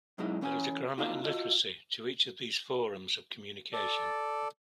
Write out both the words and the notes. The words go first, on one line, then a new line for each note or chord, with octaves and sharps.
There is a grammar and literacy to each of these forms of communication.
B2 F#3 G#3 D#4 E4
E3 C#4 C#5 G5 G#5
A#3 D4 D#4 F4 F#4
F4 F#4 D#5
A4 D5